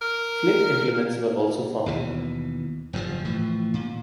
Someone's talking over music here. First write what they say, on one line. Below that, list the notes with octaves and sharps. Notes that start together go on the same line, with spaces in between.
Flint implements were also found.
A#4
D#2 B2 E3
F#1 G2 A#2 F3
A2 E3 F3
A#2